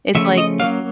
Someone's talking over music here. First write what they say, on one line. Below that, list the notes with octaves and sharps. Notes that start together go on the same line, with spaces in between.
it's like
C#3 F3 A3 E5
D#5
F#3 A#3 C#4 F5